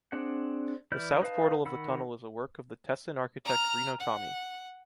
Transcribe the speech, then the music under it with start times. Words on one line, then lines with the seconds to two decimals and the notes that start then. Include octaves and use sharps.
The south portal of the tunnel is a work of the Tessin architect Rino Tami.
0.12 C4 D4 G#4 F#5
0.92 E3 E4 D5 F6 G6
1.21 D#4 B4 F5 A5
1.65 D#3 F#5 B5 E6
3.45 A#5 F6
4.00 F#5